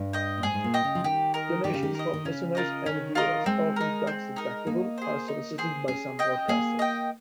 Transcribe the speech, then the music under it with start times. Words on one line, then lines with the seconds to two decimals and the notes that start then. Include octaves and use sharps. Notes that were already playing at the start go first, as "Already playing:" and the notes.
Donations from listeners and viewers, often tax-deductible, are solicited by some broadcasters.
Already playing: G2
0.13 D#5 G5
0.38 A#2
0.43 G#2 G#4
0.54 G#2
0.64 A#2
0.74 D#5 G5
0.84 C#3
0.95 F3
1.04 D#3 G4
1.34 A#4 D#5
1.64 D#3 G4
1.74 C#3
1.83 D#3
1.95 A#4 D#5
2.13 D#3
2.25 C#3 C#4
2.55 F4 A#4 D#5
2.86 D#3 C#4
3.15 F4 A#4 D#5
3.46 G#3 C4
3.76 D#4 A#4
4.07 C4
4.36 D#4 A#4
4.67 A#3 D#4
4.98 G#4 C5
5.28 D#4
5.58 G#4 C5
5.88 C#4 G#4
6.19 D#5 G5
6.48 A#3 G#4
6.79 D#5 G5